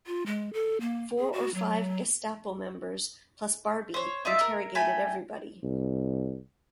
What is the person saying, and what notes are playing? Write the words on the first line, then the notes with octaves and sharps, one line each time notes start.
Four or five Gestapo members plus Barbie interrogated everybody.
F4
G#3
A4
A#3
G#4
F#4
F#3
C5 C#5
D#4 F4 D5 E5
A#4
A3 G5 G#5 B5
C2